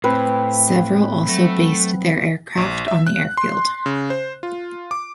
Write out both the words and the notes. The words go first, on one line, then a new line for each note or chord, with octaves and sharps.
Several also based their aircraft on the airfield.
A2 C4 B4
F#3 A3
A#1
E5
F#6
C6
C#3
C5
F4
D6